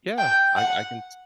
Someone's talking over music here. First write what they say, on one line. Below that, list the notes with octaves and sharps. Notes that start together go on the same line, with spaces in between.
Yeah, I I can
G5
F#5